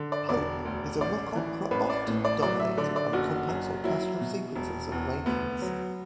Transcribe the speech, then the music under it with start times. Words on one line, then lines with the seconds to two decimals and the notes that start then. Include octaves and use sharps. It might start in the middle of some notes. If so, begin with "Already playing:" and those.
"Hope" is a rock opera often dominated by complex orchestral sequences and arrangements.
Already playing: D3
0.12 D5
0.29 E1 D5
0.65 D2
1.00 A1 D5
1.35 E3
1.71 A1 B4
1.90 D5
2.07 A2
2.25 D5
2.42 F#3 D5
2.60 E5
2.78 D3 D5
2.96 D5
3.13 F#1 F#4
3.48 F#2
3.84 F#3 E4
4.21 B2
4.56 E1
4.92 E2
5.26 D2 B3
5.62 F#3